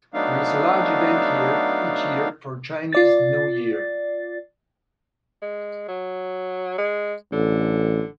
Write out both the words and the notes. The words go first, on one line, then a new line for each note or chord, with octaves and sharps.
There is a large event here each year for Chinese New Year.
F#3 A3 B3 D4 D#4 F5
F4 D5 A6
G#3
F#3
G#3
A1 D3